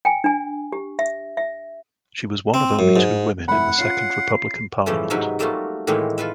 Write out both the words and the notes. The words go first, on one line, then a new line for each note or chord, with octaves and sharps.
She was one of only two women in the Second Republican parliament.
G5 G#5
D4 G#5
G4
E5
E5
C4
F#2
G#2
F1 E4 F#5 B5
C#4 F4 C7
A2 C#3 E3 F3 A3
G#2 C3 F#3 D#4 B4 E5
F#3 G3 A3 A#3 F4 F#4
A2 D#3 E3 G#3 A#3 C4
F4 A4 B4 E5